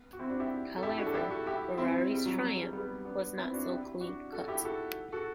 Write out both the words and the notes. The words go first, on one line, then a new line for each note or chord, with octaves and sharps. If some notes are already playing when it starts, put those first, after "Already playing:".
However, Ferrari's triumph was not so clean-cut.
Already playing: B3
F#4
C4 E4
D4 F#4
E4 G4
A4
E4 G4
D4 F#4
A4
E4 G4
F#4 A4
E4 G4
C4 E4
G3
F#3
G3
G3 B3
B3 D4
C4 E4
D4 F#4
E4 G4
D4 F#4
F#4 A4
E4 G4
F#4 A4
F#4 A4